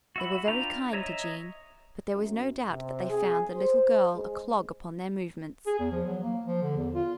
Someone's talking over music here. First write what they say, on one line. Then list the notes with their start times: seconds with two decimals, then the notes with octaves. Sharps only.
They were very kind to Jean, but there was no doubt that they found the little girl a clog upon their movements.
0.16 F#4 E5 B5
0.48 D4 F4 B4 G5 A#5
0.93 C#5 D#5 E5 A#5
2.13 F#2
2.70 C3
3.10 G#4
3.54 C5
4.14 G#3
5.66 G#4
5.79 E2
5.92 F3
6.07 F#3
6.23 A#3
6.46 F3
6.62 D3
6.77 E2
6.94 F4